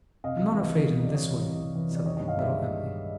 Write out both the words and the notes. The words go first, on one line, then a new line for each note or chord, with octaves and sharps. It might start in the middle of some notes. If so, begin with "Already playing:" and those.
'I'm not afraid in this way,' said little Em'ly.
C3 D#5 F5
C2
E3
C2
C3
C2 D5
E3 C#5 D#5
C2
C3
C2
E3
C2 D5
D#3 C#5 D#5
G2 C#5 D#5
D#5 F5
G#3 D5 E5